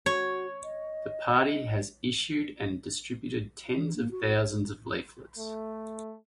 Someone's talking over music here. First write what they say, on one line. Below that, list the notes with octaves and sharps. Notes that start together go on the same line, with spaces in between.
The party has issued and distributed tens of thousands of leaflets.
F#4 C#5
D#5
E3
A#3
F#4
A3